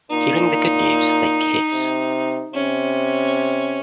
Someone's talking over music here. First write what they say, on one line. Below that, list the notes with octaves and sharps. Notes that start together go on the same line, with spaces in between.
Hearing the good news they kiss.
A#2 D#4
C3
C3 C#4